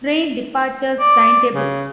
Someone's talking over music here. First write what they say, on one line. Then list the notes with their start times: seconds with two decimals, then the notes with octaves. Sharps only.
Train departures timetable.
1.00 D5
1.55 C#3